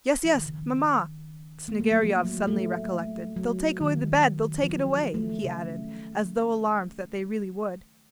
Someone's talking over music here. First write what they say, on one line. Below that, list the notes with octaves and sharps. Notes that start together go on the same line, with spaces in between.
"Yes, yes, mamma!" Snegiryov suddenly recollected, "they'll take away the bed, they'll take it away," he added as though alarmed that they really would.
F3
D#3
C#3
D#3
A#3
A3
F#3
F3
F#3
A3
F#3
D#3
F3
F#3
A3
F3
C#3